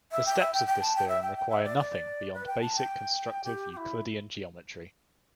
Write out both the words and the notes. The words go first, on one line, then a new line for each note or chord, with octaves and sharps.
The steps of this theorem require nothing beyond basic constructive Euclidean geometry.
E5
G5
E5
G5
G5
A5
G5
E5
G5
G5
E5
D5
D5
B4
G5
A5
G5
G4
G4
E4